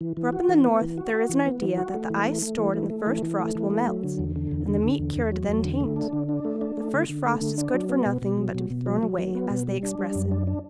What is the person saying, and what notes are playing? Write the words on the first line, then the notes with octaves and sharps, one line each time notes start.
For up in the north there is an idea that the ice stored in the first frost will melt, and the meat cured then taint; the first frost is good for nothing but to be thrown away, as they express it.
E3
E3
F#4
E3
B3
E3
F#4
F#4
E3
B3
E3
F#4
A3
E3
A3
A3
E3
A3
A3
E3
E3
A3
E3
A3
F#3
D3
E2
D3
E2
D3
D3
E2
E2
F#3
E2
D3
A3
D4
D3
D4
A3
D4
A3
D3
D3
A3
D3
D4
F#3
B3
B2
B2
F#3
B2
B2
F#3
F#3
F#3
B3
B2
G3
D4
G3
F#2
D4
D4